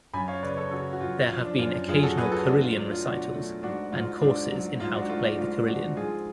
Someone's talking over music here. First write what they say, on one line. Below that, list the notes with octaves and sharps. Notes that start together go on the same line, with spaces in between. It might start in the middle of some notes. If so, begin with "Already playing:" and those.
There have been occasional carillon recitals and courses in how to play the carillon.
F#2 G#5 B5
C#5 F5
C#3 B4 D5
A4 C#5
C#3 F#4 A4
F#4
F#2 F4
F3 F4
D4
F#2 F4
F#2 F4 G#4
F#4 A4
F#2 G#4 B4
F#4 A4
A3 D4 F#4
F4
F#3 D4
F4
B2 D4 F#4
A3
G#2 D4 F#4
G#2 F4
G#2 D4
F#3
G#2 F4
D4 F#4
A3 F4
D4
G#2 F4
F3 D4 F#4
G#2 F4 G#4